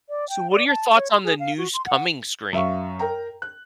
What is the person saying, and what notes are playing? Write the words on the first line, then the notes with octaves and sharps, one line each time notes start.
So, what are your thoughts on the new s coming Scream?
D5
G5
D5
A5
C#5
C6
G#4
F5
F#4
C6
F#5
F#2 E5 F5 C#6
A#4 G5 A#5
F#6